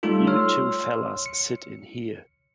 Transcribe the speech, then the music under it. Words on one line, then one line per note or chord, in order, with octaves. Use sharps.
You two fellas sit in here.
G3 A3 D#4 F4 A4
C#5 C6 E6 F6
C#7